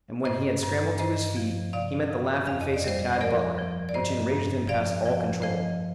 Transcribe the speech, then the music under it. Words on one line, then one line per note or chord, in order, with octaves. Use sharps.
And when he had scrambled to his feet, he met the laughing face of Tad Butler, which enraged him past all control.
G2 C5 D#5
G2
G2 C5 D#5
F3
C3 D5 F5
C3
F2 F5
D#5
D5
G3 C5 D#5
C5
F3 A#4 D5
F3
D5
G2 C5 D#5
G2
F3 D5 F5
F3
F3 C5 D#5